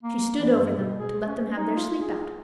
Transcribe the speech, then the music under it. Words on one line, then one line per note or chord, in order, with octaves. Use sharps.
She stood over them to let them have their sleep out.
A#3
E3
G2
B2
G#4
C#4
D#4
F4
G#4